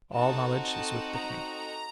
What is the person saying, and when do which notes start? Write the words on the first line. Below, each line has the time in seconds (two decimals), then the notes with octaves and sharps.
"All knowledge is with the King."
0.13 C4 D#4 F#4 A4 A5
0.63 A5
1.11 A#5